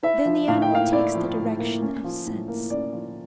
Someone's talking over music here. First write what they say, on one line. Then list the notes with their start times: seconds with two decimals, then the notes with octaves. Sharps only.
Then the animal takes the direction of sense.
0.03 E4 E5
0.26 F3
0.48 A2 F5
0.62 G5
0.71 A#3 F5
0.92 E4 D5
1.15 F3
1.38 A2
1.59 A#3
1.82 C#4
2.04 F3
2.26 A2
2.48 A#3
2.70 C#4 D5
2.93 F3